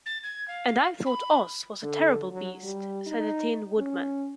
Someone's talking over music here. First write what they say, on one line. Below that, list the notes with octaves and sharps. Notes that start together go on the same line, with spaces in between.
"And I thought Oz was a terrible Beast," said the Tin Woodman.
A6
G#6
F5
B5
D3
F#3
G3
D#4
C#4